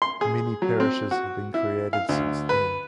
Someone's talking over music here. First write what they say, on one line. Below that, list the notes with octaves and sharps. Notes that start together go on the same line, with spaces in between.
Many parishes have been created since then.
C6
G#4
F#3
C4
F#4
E4
F5
D2
B4